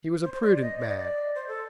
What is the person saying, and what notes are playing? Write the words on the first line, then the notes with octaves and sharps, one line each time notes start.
He was a prudent man.
C5
C5
D5
D#5
D5
D#5
D5
C5
A4